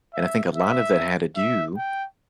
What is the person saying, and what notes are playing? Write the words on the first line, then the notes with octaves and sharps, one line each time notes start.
And I think a lot of that had to do,
E5
E5
E5
G5